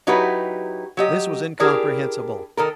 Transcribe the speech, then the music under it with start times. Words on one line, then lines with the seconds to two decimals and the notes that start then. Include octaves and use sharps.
This was incomprehensible.
0.07 F#3 D#4 E4 F#4 G4 B4
0.97 F#3 G4 D#5
1.60 D4 E4 G4 G#4 A#4
2.57 D#3 A4 A#4